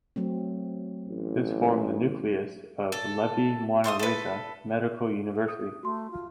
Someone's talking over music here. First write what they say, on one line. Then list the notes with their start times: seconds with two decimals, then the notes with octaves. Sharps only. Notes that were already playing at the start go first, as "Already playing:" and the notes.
This formed the nucleus of Levy Mwanawasa Medical University.
0.16 F#3 A3 C4
1.08 A1
2.92 A4
3.84 A4 C6 D6 D#6
3.99 A4 B4
5.48 D#6
5.83 A3 F#4 C6
6.11 F4